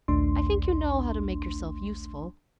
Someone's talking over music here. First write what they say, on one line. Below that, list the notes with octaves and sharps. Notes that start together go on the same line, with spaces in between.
I think you know how to make yourself useful.
A#1 D#2 A3 D4 C6